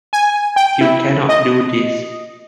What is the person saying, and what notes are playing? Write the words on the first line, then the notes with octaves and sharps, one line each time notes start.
You cannot do this.
G#5
G5
E4
D#5